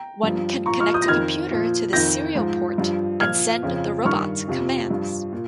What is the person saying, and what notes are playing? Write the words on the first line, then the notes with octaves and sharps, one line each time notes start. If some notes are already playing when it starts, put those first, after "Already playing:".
One can connect a computer to this serial port and send the robot commands.
Already playing: G5 A#5
G2 F3
A#2 F3 A#5 C#6
C#6 F6
D#6 G6
A#6
F2 D#3 F6 G#6
A#2 F3
F2 D#3 G6 A#6
G#2 F3
G2 F3
A#2 F3 F6 G#6
F2 C#3 F3
G2 D#3 C#6 F6
F2 C3 F3
G2 F3
A#2